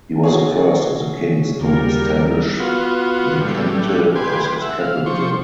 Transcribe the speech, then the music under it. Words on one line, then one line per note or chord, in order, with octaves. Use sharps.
He was the first of the kings to establish Nekemte as his capital.
F#4 G#4 C#5
D#2 C#3 G3 A#3 A#4
B3 F4 F#4
A2 G3
G4 B4 G#5 C6
E5 F#5
F5
F3 C5 C#6